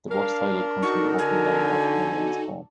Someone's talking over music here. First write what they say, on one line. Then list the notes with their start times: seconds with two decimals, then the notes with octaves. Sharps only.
The work's title comes from the opening line of Mameli's poem.
0.11 D4 A#4 F5
0.82 D#4 F#4 A4 C#6
1.18 D3 G#5